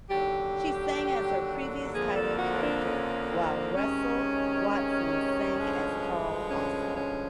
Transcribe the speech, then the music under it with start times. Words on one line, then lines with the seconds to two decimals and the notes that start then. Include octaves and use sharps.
She sang as her previous title character while Russell Watson sang as Karl Oskar.
0.10 D#2 D3 F#3 G4
1.92 F2 D3 F3 A#3 G#4
2.16 A4
2.38 F#4
2.61 D4
2.84 C#4
3.30 C4
3.75 C3 D#3 G#3 C#4
5.59 G2 D3 F3 G#3
6.50 C#4
6.95 C#4